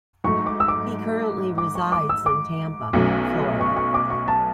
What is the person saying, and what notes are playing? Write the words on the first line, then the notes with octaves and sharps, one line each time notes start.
He currently resides in Tampa, Florida.
G#2 F#3 A3 C#6
D6
E6
D6
D6
C#6
D6
E6
D6
B1 B2 F#3 A3 C#4
C#6
C#6
D6
C#6
A5